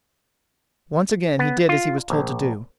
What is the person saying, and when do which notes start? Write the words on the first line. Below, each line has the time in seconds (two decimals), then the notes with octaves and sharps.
Once again he did as he was told to do.
1.39 B3
1.69 F4
2.10 A#1